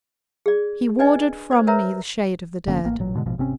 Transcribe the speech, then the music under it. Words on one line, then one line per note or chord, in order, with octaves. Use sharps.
He warded from me the shade of the dead.
G#4 D5
D4 B4 D5 D#5 G#5
C5 D5
A#4 B4 C#5 E5 A#5
F1 D3 A#3 C#4
A1 A#3
A1 A#2 F#3
G#2 B2 D3 G#3
A#1 G#2 B2 F3
G#1 C3 C4 C#4